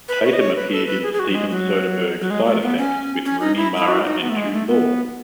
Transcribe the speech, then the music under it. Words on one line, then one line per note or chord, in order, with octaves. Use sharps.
Tatum appeared in Steven Soderbergh's "Side Effects", with Rooney Mara and Jude Law.
B4
C#5
D#5
C#5
B4
A4
B4
G#4
G#4
F#4
F#3
G#3
F#3
F#3
G#3
A3
B3
C#4
C#4
D#4
E4
E4
F#4
D#4
B3
A3
G#3
A3
B3